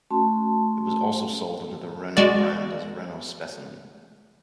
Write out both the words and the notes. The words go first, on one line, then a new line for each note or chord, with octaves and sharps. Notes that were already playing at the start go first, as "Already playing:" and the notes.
It was also sold under the Renault brand as Renault Specimen.
A3 C#4 F#4 A5 C6
G#3 F#4 D5